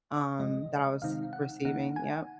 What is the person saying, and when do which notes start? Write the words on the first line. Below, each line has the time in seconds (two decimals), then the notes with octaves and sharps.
um, that I was receiving. Yep.
0.39 C3 F3 G#3 D#5
1.02 C3 D#3 G#3 C4 D#4 F5
1.33 F#5
1.65 D#3 A#3 D#4 F#5
1.96 G#5